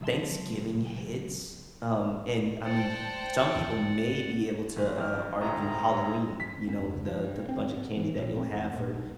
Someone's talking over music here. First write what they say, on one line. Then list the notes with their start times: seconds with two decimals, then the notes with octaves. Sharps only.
Thanksgiving hits, um, and, I mean, y some people may be able to, uh, argue Halloween, you know, the the bunch of candy that you'll have for
0.01 C#2 F#3 E5 A5 C6
2.65 C5 D5 F#5 G5 A5
4.76 F#1
4.97 E2 G5 F6
5.41 D2 A2 C4 D#4 A#5
6.40 B6
6.67 F2
6.94 C#2
7.08 F3
7.24 G2
7.49 C4
7.77 B3
7.97 E3
8.18 A#1
8.36 C4
8.51 E2
8.73 A#2
8.94 B1